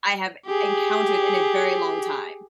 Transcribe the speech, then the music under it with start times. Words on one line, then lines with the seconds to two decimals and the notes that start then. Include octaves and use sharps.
I have encountered in a very long time,
0.46 G4 G#4